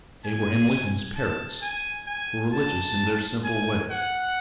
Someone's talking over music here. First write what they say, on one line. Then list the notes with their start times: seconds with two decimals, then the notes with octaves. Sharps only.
Abraham Lincoln's parents were religious in their simple way.
0.25 G#5
1.16 A5
1.62 G#5
2.07 G#5
2.53 A5
3.44 G#5
3.90 F#5